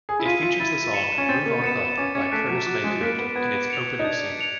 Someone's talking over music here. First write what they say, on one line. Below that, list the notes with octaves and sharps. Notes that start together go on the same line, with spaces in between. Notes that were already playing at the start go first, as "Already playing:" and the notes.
It features the song "Move On Up" by Curtis Mayfield in its opening scene.
G#4
E4
F4 B6 D#7
F4
E4 A6
C#7 E7
C#4
C4 A6
A#3
B3 C#7 E7
B3
C#4 D6
C#4
A3 F#6 B6 D7
F#3
F#3 D6
G#3
A#3 F#6 B6 D7
B3
B3 G#6
C#7 F7
D#4
D4 G#6
C#7 F7